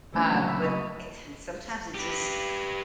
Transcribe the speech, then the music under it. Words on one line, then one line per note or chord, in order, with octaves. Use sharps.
uh, but, eh and sometimes it's just
D3 E3 A3 C4 C#4 D#4
A#2 C#3 F#3
E5 B5
D#5 A5 B5 C#6 D#6
G4 B4